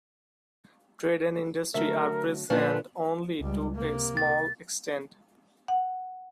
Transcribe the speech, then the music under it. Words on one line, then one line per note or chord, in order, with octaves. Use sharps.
Trade and industry are present only to a small extent.
D3 F#3 A3 A#4 E5
A#2 D3 F3 C#4 D4 F4 B4
C#2 G3
C3 A#3
A6
F#5